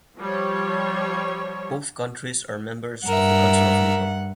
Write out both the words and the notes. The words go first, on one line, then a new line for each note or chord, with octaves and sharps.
Both countries are members of the Council of Europe.
F3 G3 C#5
G2 A#4 E5 F#5